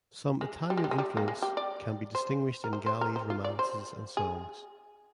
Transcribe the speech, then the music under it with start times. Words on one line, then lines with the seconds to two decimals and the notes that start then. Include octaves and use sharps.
Some Italian influence can be distinguished in Galli’s romances and songs.
0.41 G#3
0.70 G3
0.77 G#3
0.84 G3
0.91 G#3
0.98 G3
1.17 A#3
1.28 G#3
1.42 G4
1.57 D5
2.15 C5
2.64 A#4
2.73 C5
2.86 C5
3.01 A#4
3.16 C5
3.30 F4
3.44 D5
3.59 C5
4.17 G#4